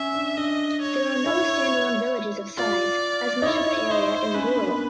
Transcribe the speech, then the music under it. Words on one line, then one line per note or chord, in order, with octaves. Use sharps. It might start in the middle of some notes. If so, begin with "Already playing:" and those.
There are no standalone villages of size as much of the area is rural.
Already playing: C#4 E5
D4
D4 D#5
C#5
E4
F4 D5
D#4
E4 C#5
D#4 C5
C#4 B4
D4
A#3
B3